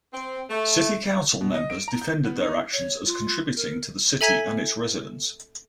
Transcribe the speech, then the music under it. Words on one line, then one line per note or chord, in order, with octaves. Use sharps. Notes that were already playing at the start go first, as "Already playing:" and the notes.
City councilmembers defended their actions as contributing to the city and its residents.
C4
A3
B2
D#5
D7
A#5
G6
B3
D#4
C#5
F4
A#4
A4 E5 G#5 A#5 G#6 B6